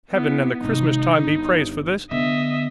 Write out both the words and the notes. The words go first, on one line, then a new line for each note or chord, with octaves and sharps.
Heaven and the Christmas Time be praised for this!
B3 E4
G#1 C3 D#4
G1
D3 B3 D#5 E5